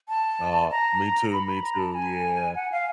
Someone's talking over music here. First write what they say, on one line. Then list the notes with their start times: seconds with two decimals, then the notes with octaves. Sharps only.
Uh, me too. Me too. Yeah.
0.09 A5
0.71 A#5
1.33 B5
1.47 B5
1.64 A#5
1.79 A5
1.95 G#5
2.55 F#5
2.72 F5